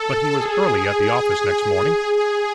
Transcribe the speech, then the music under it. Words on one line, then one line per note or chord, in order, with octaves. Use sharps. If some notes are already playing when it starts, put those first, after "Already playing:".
But he was early at the office next morning.
Already playing: A4
G#4
G#4